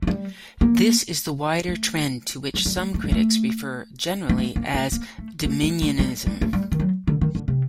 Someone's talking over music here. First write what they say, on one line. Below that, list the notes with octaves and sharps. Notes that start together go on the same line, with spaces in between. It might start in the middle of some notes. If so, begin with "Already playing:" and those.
This is the wider trend to which some critics refer, generally, as Dominionism.
A3
G3
A#3
A3
F#3
G3
A3
A3
G3
A3
A#3
A3
A#3
A3
A#3
A3
A3
G3
A3
G3
G3
A3
G3
D#3
F#3
D3
D#3
D3
C3